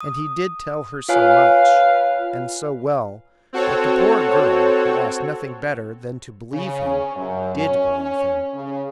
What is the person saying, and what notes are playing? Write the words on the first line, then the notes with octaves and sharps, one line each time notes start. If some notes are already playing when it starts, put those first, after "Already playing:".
And he did tell her so much, and so well, that the poor girl, who asked nothing better than to believe him, did believe him.
D#6
F4 B4 C#5 F5 G#5
C4 F#4 A4 C#5
C#3
C#4
F#2
C#4
C#4
C#3